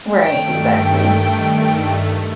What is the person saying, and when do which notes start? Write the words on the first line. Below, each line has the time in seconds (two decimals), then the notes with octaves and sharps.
Right, exactly.
0.19 G2 D#3 A3 G5